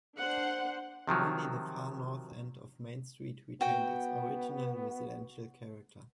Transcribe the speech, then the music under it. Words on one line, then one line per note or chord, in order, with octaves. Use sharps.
Only the far north end of Main Street retained its original residential character.
D4 C5 F#5
C3 D#3 F3 F#3
B3 F#4 G5